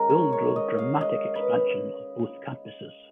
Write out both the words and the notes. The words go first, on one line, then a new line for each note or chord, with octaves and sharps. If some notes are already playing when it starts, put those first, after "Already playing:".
Bill drove dramatic expansion of both campuses.
Already playing: D#3 G#3 C#4 A#4
C#5
C#5
D#5
F5
D#5
B4